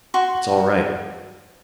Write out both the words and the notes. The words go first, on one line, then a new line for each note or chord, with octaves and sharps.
It's all right.
F#4 C6 C#6